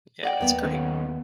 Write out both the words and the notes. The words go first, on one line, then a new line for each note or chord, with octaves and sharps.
yeah, that's great.
D5 D#5 F#5 G5
D#2 B3
D#3 C#4